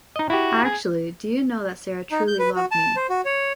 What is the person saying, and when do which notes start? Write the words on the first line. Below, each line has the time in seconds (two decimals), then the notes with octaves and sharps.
Actually, do you know that Sarah truly loved me.
0.16 D#4 D#5
0.30 E4 F#4 G4
0.64 G#4
2.12 D#4
2.27 G6
2.39 B4
2.56 F#4
2.71 A5
2.96 C5
3.10 F#4
3.25 C#5